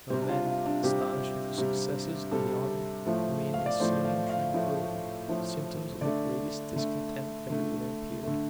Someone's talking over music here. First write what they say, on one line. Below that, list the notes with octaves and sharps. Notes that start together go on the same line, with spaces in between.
Though men, astonished with the successes of the army, remained in seeming tranquillity, symptoms of the greatest discontent every where appeared.
C3 G3 C4
D4
F4
F4
D4
C3 G3 G4
C3 G3
C3 G3 A4
A2 F3 A3
F5
D5
A2 F3 A3 C5
F5
F5
A2 F3 A3
A2 F3 A3
D3 A3 D5
D3 A3
D3 A3
D3 A3